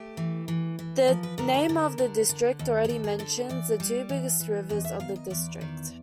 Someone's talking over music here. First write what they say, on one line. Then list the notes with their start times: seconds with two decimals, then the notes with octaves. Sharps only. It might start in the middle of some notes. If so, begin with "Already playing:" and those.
The name of the district already mentions the two biggest rivers of the district.
Already playing: A3 G4
0.17 E3
0.48 E3
0.79 E3
1.08 F3 A#4
1.23 B4
1.38 D3 A#4
1.54 A#4
1.69 D3
1.98 D3
2.29 D3
2.59 D#2
2.85 G#4
2.89 D#2 A4
3.04 G#4
3.19 D3 A4
3.49 E3 D5
3.80 G3
4.09 E3
4.40 E3
4.69 E2 D#5
4.85 E5
5.00 D#3 F5
5.16 D#5
5.30 E2 D5
5.61 D#3